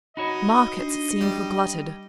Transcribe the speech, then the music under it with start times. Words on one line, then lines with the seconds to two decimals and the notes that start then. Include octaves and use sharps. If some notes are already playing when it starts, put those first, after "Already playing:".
Markets, it seemed, were glutted.
0.17 D#4 F#4 C#5 D#5 B5
0.78 D4 C7
1.21 G3